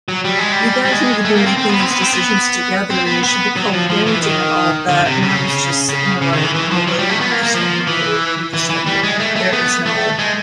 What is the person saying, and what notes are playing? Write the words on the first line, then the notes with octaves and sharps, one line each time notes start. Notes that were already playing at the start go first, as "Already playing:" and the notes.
"You guys need to be making these decisions together, and you should be co-parenting and all that," and I was just sitting there like, "Oh, lady, you just have no clue. You just have no clue. There is no"
F#3
G3
G#3
G3
G3
G#3
A3
A#3
C4
C4
B3
C4
B3
C4
B3
C4
B3
B3
F#3
F3
F3
E3
D#3
D3
C3
C#3
C#3
C#3
D#3
E3
E3
F3
F#3
G3
A3
B3
A#3
A#3
F3
E3
E3
E3
G3
G#3
A3
A3
B3
A3
G#3